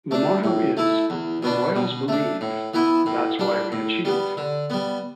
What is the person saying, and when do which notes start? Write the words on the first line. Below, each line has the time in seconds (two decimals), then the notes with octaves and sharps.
The motto is "The Royals Believe That's Why We Achieve".
0.11 A3 D4
0.44 A2
0.77 A3 E4
1.10 E2
1.43 B2 B3 D4
1.76 B2
2.08 A3 D4
2.41 A2
2.74 E3 B3 E4
3.06 A2
3.39 G3 D4
3.72 A2
4.05 G3 B3
4.37 D3
4.70 G3 B3